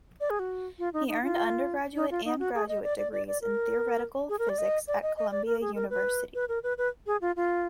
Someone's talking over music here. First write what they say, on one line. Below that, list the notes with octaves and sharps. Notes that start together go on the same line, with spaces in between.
He earned undergraduate and graduate degrees in theoretical physics at Columbia University.
D5
G#4
F#4
F4
D#4
D#4
F4
D#4
F4
D#4
F#4
G#4
D#5
D5
D5
D5
D5
A#4
G#4
A#4
D5
D#5
D5
D#5
D#5
D5
A#4
G#4
A#4
B4
B4
A#4
B4
B4
G#4
F4
F4